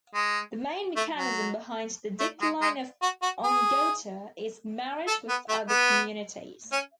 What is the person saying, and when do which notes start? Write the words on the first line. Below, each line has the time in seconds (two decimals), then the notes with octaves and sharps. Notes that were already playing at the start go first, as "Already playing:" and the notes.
The main mechanism behind the decline of Ongota is marriage with other communities.
0.14 G#3
0.96 A3
1.17 F#3
2.19 A3
2.41 G#3
2.62 G#3
3.02 F#4
3.22 F#4
3.43 G#4
5.07 A4
5.29 B3
5.49 A3
5.69 B3
6.72 C#4